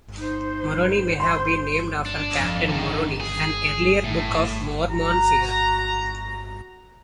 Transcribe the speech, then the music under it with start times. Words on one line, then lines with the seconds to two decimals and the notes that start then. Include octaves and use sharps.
Moroni may have been named after Captain Moroni, an earlier Book of Mormon figure.
0.17 D#4 C5
1.20 C5 C6
2.06 D4
2.37 F2
2.69 D3 D#3
3.21 G#4
4.05 A2
4.90 F#4 A#5